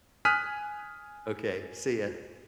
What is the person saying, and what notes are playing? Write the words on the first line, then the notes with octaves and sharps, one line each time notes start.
Okay. See ya.
G#5 D#6 F6 F#6 B6 D#7